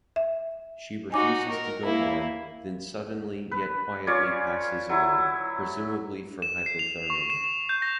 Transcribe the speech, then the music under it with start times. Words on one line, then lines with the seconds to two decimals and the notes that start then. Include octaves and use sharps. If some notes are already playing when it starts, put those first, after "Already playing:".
She refuses to go on, then suddenly yet quietly passes away, presumably from hypothermia.
0.16 E5
1.12 D#4 F#4 G#5 D6
1.51 A#4
1.85 A#3 E4
3.51 B4
4.07 C#4 F4 C#5 D5
4.89 F#3 E4
6.42 E7
6.66 C7
6.79 F7
7.10 C#6
7.30 E7
7.44 E7
7.69 G6
7.82 A#6